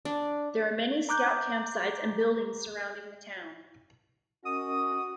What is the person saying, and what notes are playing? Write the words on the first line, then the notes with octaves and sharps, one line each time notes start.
There are many scout campsites and buildings surrounding the town.
D4
A#5 D6 F#6 G6
C#4 F#4 A#4 D#5 D#6